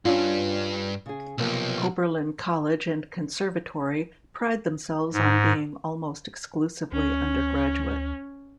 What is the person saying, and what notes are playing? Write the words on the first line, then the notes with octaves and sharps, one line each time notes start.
Oberlin College and Conservatory pride themselves on being almost exclusively undergraduate.
G2 C#4 D4 F4
C#3 G#4
B1 C3 F3 A#3
G#2
D2 C#4